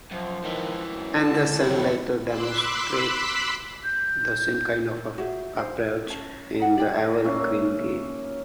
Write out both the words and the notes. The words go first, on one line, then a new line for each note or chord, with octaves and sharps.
Anderssen later demonstrated the same kind of approach in the Evergreen Game.
F#2 F3
C#2 D#3 E3
F#2
D3 A5
F2 A2 F#3 E4 F#4
B5 C6 D6 E6 F#6 B6
G6
F#4 G#4 E5
D4 D#4 C5
F4
C#4 A5
D#4 F#5
G4 D5 D#5 G5
A#3 C#4 E5 F5